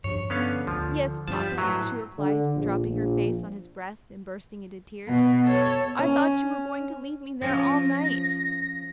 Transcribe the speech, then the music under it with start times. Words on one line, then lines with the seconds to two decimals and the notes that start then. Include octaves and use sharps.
"Yes, papa," she replied, dropping her face on his breast and bursting into tears; "I thought you were going to leave me there all night."
0.04 G2 F3 D4 C#5
0.30 D3 B3 C#4 F5
0.67 D2 F3
1.28 G2 F3 G3 A5
1.58 A2 F#3 B4 C5
2.18 D3
2.55 A#1
2.88 A#1
5.08 B2
5.44 A4 C#5
5.99 C#4
7.41 F3 C#4 F4 A#6